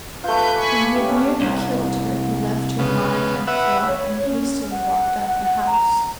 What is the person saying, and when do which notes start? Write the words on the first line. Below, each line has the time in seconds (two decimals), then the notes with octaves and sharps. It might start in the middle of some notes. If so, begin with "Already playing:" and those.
When he had nearly killed her he left her lying on the floor, and hastily walked out of the house.
0.24 A3 F4 B4 G6
0.56 G#5 B5 C#6 D6
0.94 B3 C#4 E4 G4
1.41 C2
2.79 C#3 B3
3.47 B4 E5 F#5
3.88 C#5
4.26 C#4
4.71 F#5
5.66 A#5